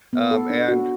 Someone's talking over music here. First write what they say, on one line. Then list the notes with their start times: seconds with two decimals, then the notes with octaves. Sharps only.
Um, and
0.13 B3
0.31 A4
0.50 D4
0.68 F#4